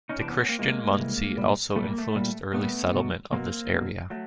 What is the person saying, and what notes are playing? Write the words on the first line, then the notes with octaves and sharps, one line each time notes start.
The Christian Munsee also influenced early settlement of this area.
C#4 D#4
C3 E3 G3 C4 D4
B3 C#4
B3 C#4
A#3 C4
C3 E3 G#3 A#3
C3 E3 G3
A#2 G3
A#2 G3 A3
A#3
A3
A#2 G3
A#2 G3 A3 B3
B2 F#3
B2 F#3 A#3 C4
B2 F#3
F#3 A3